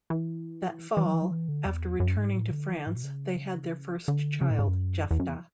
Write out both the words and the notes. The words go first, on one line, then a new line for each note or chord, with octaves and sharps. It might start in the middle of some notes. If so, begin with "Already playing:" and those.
That fall, after returning to France, they had their first child, Jephta.
E3
E3
F#3
E3
F#3
E3
D3
E2
F#2
G#2
A2
D3
E3
D3
G#2
B2
C#3
D3
C#3
A2
G#2
F#2
E2
F#2
E2